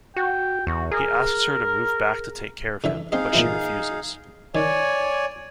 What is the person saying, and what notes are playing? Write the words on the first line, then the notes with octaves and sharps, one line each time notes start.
He asks her to move back to take care of him, but she refuses.
F#4 G5
E2 F#4
G#4 A#4
D3 E3 E5
C4 D#4 G#4 C5 D#5 F5
A#2 E3 E4
D#3 C#5 D5 G#5